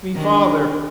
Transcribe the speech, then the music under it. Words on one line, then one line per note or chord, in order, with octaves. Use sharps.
Me father!
D#3 D4